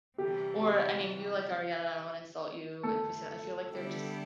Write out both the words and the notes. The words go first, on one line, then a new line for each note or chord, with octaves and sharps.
or, I mean, you like Ariana, I don't wanna insult you and Christina, I feel, like, they're just
C3 E3 G3 G4
G4
A3 A4
D3 G3 B3 E4 G4